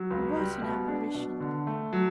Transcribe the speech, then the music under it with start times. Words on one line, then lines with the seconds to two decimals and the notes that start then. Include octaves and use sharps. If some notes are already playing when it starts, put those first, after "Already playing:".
What an apparition!
Already playing: F#3
0.10 C#2
0.36 G3
0.62 B2
0.88 D4
1.15 B2
1.40 D3
1.67 A3
1.93 F#3